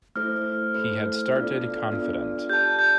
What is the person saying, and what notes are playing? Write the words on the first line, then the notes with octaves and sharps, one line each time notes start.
He had started confident.
A3 E4 A4 C5 F6
A3 E4 A4 C5
B3 D4 F4 A4 D5
B3 D4 F4 A4 D5
G4 D5 A5 G6
G6